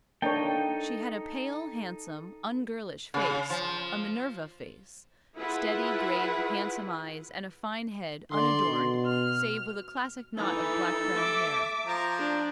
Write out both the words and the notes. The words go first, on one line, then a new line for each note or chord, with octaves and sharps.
She had a pale, handsome, ungirlish face--a Minerva face--steady, grave, handsome eyes, and a fine head, unadorned, save with a classic knot of black brown hair.
A#3 D4 D#4 A4 C#5 G5
C#3
F3
E4 F4 G#4 B4 F#5
D3 D5 C6
B2
F6
E3 D#4 A4
E5 D6
F3 A#5
D4